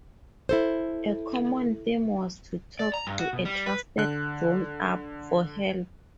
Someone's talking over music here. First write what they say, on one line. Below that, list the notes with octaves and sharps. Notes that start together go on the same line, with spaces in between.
A common theme was to talk to a trusted grown up for help.
E4 A4 C5
D5
A#5
G2
F#4
B2
G3
B4
D3 F#6